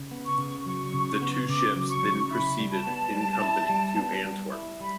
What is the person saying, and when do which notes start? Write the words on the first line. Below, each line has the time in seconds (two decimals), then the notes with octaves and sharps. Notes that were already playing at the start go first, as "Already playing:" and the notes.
The two ships then proceeded in company to Antwerp.
Already playing: C#3
0.11 B3
0.25 C#6
0.38 C#3
0.66 F#3 C#6
0.94 C#3
1.22 B3
1.49 C#3 D6
1.76 F#3
1.90 C#6
2.04 C#3
2.31 E4 B5
2.58 G3
2.73 A5
2.87 B3
3.14 G3
3.42 E4
3.69 G3
3.97 B3
4.25 G3
4.52 E4
4.80 G3 B5